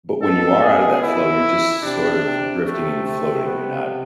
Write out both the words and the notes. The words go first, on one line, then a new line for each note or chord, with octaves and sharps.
but when you are outta that flow, you're just sort of drifting and floating, you're not
B2 A4
G#4
E4
C3 D4
C3
C3 A3
A3
B3